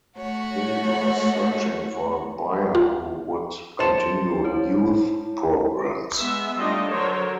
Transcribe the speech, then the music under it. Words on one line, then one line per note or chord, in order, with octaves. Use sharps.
They were searching for a buyer who would continue youth programs.
A3 F#4 C#5
F4
C5 A5 C6 A6 C#7 E7
E4 C#5
G#3 B3 E5
G3 A3 D4 D#4 F4 D#5
D3 F#3 A#4 C5 C#5